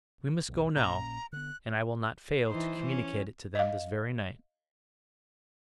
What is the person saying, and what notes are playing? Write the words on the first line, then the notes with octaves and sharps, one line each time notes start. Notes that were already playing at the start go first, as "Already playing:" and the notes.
"We must go now, and I will not fail to communicate it to them this very night."
B1 E2
A#1 A#2 C#4 A#5
D3 B3 F#6
E3 D#4 C5
C#4
D#5 F5